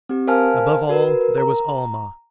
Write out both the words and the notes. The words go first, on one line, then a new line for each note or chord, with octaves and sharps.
Above all, there was Almah.
C4 G4
A#4 C5 F5 G#5 A5 F6
F#4 A#4 B4
A#4
A#5